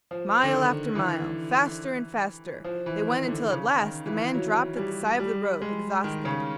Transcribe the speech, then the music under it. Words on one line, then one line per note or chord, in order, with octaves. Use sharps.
Mile after mile, faster and faster, they went until at last the man dropped at the side of the road exhausted.
F3
D3
D#3
E3
F3
E3
D#3
D3
C#3
D#3
E3
F#3
G3
G3
G#3
D#3
C#3